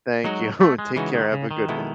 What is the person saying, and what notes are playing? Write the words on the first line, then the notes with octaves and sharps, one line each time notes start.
Thank you. And, take care. Have a good one.
F#3 G#3 D#4 F#4
A3
G#3
C#3 E3 G#3 D#4 F#4
D#3
C#3
D#3
B2 G#3 B3 E4 A4